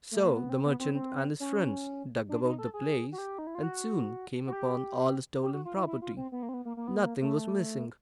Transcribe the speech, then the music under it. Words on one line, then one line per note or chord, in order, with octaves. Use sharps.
So the merchant and his friends dug about the place, and soon came upon all the stolen property. Nothing was missing.
A3
A#3
B3
C4
B3
C4
C4
C#4
D4
D#4
A4
G#4
F#4
G4
D#4
E4
F4
F#4
F#4
G4
G4
F#4
F4
E4
E4
F4
C4
B3
A#3
C4
B3
A#3
A#3
B3
A#3
A3